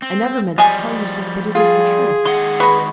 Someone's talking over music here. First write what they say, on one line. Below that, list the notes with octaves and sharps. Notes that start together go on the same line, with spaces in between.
I never meant to tell you so, but it is the truth.
C4
F3 G3 G#3 G#5 D#6
F4 G#4
D#3 G#3 F#5 C6
B4 D#5 B5 C#6